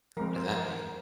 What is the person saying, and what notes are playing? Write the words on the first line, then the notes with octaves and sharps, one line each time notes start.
What does that mean?
F3 G#3 C4 A#4
C5
A#4